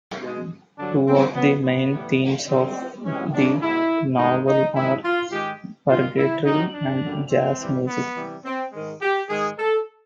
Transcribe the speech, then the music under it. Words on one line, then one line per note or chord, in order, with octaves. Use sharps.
Two of the main themes of the novel are purgatory and jazz music.
B2 G#3
G2 D3 F#3 D4
C4
B2 F#3 B3
B3
A2 E3 G3
F#2 D3 G3 C4
C3 E3 G#3 C#4
D4
B2 G#3 E4
G2 D#3 G#3 D#4
D#4
F#2 D#3 G#3 E4
F4
G#2 D#3 G#3 G4
F#2 D#3 G3 F4
E4
C3 D#3 F#3 D#4
D4
F#2 D3 G3
C4
G2 E3 G3
B3
C3 E3 G3
C4
G#2 D#3 G#3
G4
G#2 D#3 G#3 G#4
A4